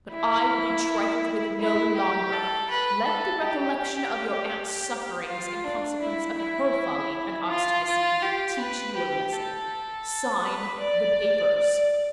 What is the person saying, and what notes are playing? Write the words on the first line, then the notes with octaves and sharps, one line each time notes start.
But I will be trifled with no longer: let the recollection of your aunt's sufferings, in consequence of her folly and obstinacy, teach you a lesson.--Sign the papers.'
E4
E4
G4
A4
B4
A4
G4
F4
D4
E4
E4
F4
F4
G4
B4
G4
A4
B4
D5